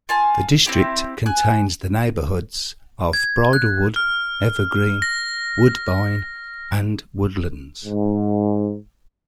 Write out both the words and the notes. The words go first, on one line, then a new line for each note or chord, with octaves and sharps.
The district contains the neighbourhoods of Bridlewood, Evergreen, Woodbine, and Woodlands.
F4 G#5 A5
C4 E4 G4
G#5 F#6
G#6
F#6
F6
A#6
G#2